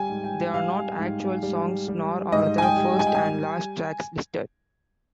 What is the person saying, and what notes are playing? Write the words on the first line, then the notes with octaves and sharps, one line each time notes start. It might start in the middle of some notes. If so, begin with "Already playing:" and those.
They are not actual songs, nor are the first and last tracks listed.
Already playing: G3 G5 G#5
G#2
G5
G3 F5
G#2
G3
G3
G#2 D#5
G#5
G5
G3
G#5
G5
G#5